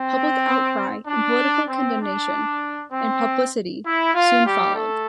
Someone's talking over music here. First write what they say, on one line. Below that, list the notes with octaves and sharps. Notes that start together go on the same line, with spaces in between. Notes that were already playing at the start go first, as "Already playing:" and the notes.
Public outcry and political condemnation, and publicity soon followed.
Already playing: C4
D4
C4
D4
C4
E4
F4
G3 G4
A3 A4